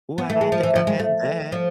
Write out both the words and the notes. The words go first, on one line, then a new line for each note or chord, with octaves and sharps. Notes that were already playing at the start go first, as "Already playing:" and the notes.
Ooh, I don't think I had that.
B3
A3
G#3
F3
E3
F3
G#3
A3
F3